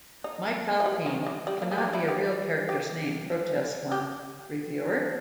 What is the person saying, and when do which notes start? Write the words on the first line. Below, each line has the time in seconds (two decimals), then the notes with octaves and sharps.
"Mike Fallopian cannot be a real character's name," protests one reviewer.
0.24 D#4
0.80 E3
0.86 G3
1.06 D#3
1.27 E3
1.47 G3
1.62 A#3
1.71 G#4
1.78 G4
1.93 E4
2.09 G4
2.69 G4
3.92 G4